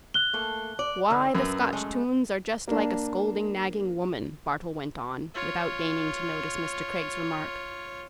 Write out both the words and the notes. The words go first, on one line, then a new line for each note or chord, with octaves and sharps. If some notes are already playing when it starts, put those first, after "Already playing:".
"Why, the Scotch tunes are just like a scolding, nagging woman," Bartle went on, without deigning to notice Mr. Craig's remark.
F#6 G7
A3 A#3 A4
D5
G#2 D3 E3 E6
F#2 A#4 B4
G#3 A3
A#3 D4
F4 C#5